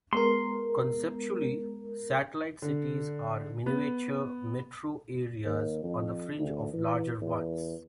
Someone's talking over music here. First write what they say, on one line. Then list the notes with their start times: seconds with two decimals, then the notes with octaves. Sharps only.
Conceptually, satellite cities are miniature metro areas on the fringe of larger ones.
0.13 G#3 B3 A#4 C6
2.62 D3
3.66 B3
5.45 D#2
5.83 F2
6.38 D2
6.73 E3
7.21 E2